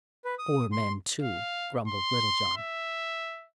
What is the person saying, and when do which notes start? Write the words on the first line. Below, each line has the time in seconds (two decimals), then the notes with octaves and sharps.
"Poor men, too," grumbled Little John.
0.25 B4
0.39 D#6
0.72 C6
1.22 F5
1.88 C6
2.57 E5